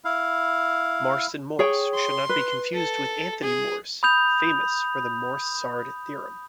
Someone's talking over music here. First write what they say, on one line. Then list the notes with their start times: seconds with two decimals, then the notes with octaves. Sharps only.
Marston Morse should not be confused with Anthony Morse, famous for the Morse-Sard theorem.
0.05 E4 F5
1.59 G#4 C#5 G5
1.95 C6
2.29 B4
2.74 A4
3.42 G#4
4.03 B5 D#6 G6 F7